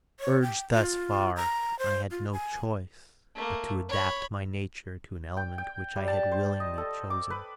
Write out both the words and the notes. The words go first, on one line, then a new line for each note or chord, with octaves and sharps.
Urged thus far, I had no choice but to adapt my nature to an element which I had willingly chosen.
C#5
G5
F4
A#5
C5
F4
G#5
A3 A#3
C#5 B5
G5
G5
G3
A5
C5
D#5
A4
D6
B4